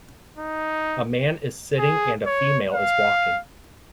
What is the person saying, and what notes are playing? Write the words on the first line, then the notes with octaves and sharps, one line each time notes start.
A man is sitting and a female is walking.
D#4
G#4
C#5
F5